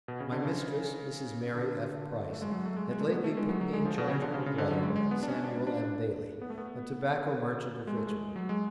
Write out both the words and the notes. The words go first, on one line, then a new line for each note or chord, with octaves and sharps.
My mistress, Mrs. Mary F. Price, had lately put me in charge of her brother, Samuel M. Bailey, a tobacco merchant of Richmond.
B2
C#3
D3
C#3
D3
A3
G#3
F#3
A3
G#3
G#3
A3
B3
A3
G#3
F#3
F#3
G#3
F3
B2
C#3
D3
C#3
C#3
D3
F#3
G#3
G#3
B3
D4
C#4
D4
D4
B3
A3
B3
G#3
A3
G#3
F#3
G#3